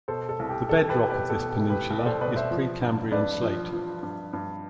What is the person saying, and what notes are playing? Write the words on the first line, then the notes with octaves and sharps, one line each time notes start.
The bedrock of this peninsula is Precambrian slate.
B2 A4 C5
A4
C2
G4
C2 A4
G4 B4
B2
G4 B4
B2 A4
G4
C2
G4 B4
C2
D5
A4 C5
B2 B4 D5
C5 E5
F3
G2
G2 B4 D5
F3
F3
G2
G2